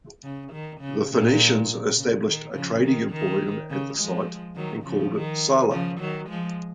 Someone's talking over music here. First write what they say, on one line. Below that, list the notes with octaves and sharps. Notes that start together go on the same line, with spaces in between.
The Phoenicians established a trading emporium at the site and called it "Sala".
C#3
D#3
C#3
A#2
C#3
D#3
C#3 F3
D#3
D#3
C#3
F3 G#3
D#3 F#3
C#3 F3
D#3
C#3 F3
D#3 F#3
F3 G#3